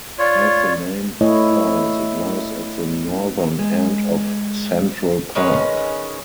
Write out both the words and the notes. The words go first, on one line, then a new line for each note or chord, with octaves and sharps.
As the name implies, it lies at the northern end of Central Park.
F4 C#5 D5
A3 E4 C#5 D#5
G#3
D#3 G#3 C#4 B4